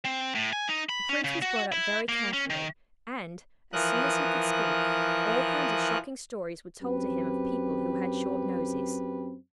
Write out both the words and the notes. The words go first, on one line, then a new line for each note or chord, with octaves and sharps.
The Prince was brought up very carefully; and, as soon as he could speak, all kinds of shocking stories were told him of people who had short noses.
C4
A2
G#5
D#4
B5
C#4
C#3
F#4
E4
A#3
C#4
D#3
E3 F3 A#4 D#6 F#6
F#2 C4 G4 B4